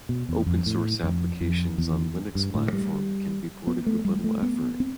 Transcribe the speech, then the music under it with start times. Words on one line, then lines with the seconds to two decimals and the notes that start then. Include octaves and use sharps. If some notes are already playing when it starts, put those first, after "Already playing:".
Open source applications on Linux Platform can be ported with little effort.
0.09 B2
0.29 E2
0.47 F2
0.66 A2
1.03 F2
1.41 F2
1.78 E2
2.35 G2
2.55 A2
2.73 G3
3.67 B3
3.86 A3
4.05 G3
4.24 A3
4.43 B3
4.80 C4